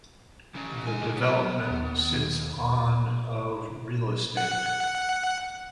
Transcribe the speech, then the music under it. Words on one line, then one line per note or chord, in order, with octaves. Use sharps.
The development sits on of real estate.
E3 C#4
D2 G#3 G#5
F#3 B3
D#2
F#5